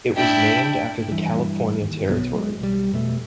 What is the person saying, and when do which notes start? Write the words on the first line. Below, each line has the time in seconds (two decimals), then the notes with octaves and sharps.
It was named after the California Territory.
0.16 D4 E4 G5
1.10 G2 E3
1.82 D#2
2.07 B1 F#3 G3 B3
2.36 G#3
2.60 B1 G3
2.92 F2 B2 A3